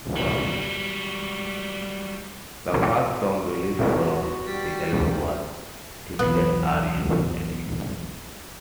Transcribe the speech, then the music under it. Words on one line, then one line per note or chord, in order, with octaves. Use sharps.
The first song released from the album was titled Are You Ready?
F#3 G3
F#4
B3
G3
D#3
B1 E2 B3